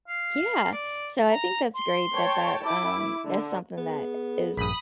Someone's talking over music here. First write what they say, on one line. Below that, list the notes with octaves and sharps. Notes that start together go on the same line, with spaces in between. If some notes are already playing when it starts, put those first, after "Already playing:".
Yeah, so I think that's great that that, um, is something that is
F5
D5
A#5
C6
C#5 G5 A5
E4 D6
D3
B3 G#4
A#1 G2 B5 D#6